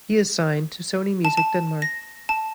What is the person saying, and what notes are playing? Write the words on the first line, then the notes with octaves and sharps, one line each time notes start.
He is signed to Sony Music Denmark.
A5
A5
A#6
A5